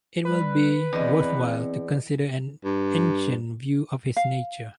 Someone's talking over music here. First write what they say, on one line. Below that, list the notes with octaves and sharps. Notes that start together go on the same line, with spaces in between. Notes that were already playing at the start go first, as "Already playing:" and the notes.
It will be worthwhile to consider an ancient view of his nature.
G3 B4
E2 C4 D5 D#5
G2
F5